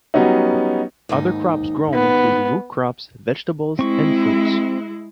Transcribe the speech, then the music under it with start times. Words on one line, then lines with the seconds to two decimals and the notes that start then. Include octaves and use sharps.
Other crops grown include root crops, vegetables and fruits.
0.14 F#3 G3 B3 C#4 D#4
1.09 D#2 G#2 D#4
1.94 B3
3.79 G#3 C4 E4 C#6